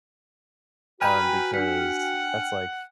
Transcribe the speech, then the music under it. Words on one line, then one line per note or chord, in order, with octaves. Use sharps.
um, because that's, like
F#4 B4 G5 G#5 A#5 B5 F6 D#7
D4 F#5 B6